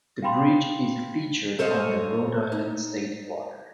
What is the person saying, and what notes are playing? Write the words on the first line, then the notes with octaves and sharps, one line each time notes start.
The bridge is featured on the Rhode Island state quarter.
F5 G5 B5 C6
A4 C5 C#5 D#5 F5
D#4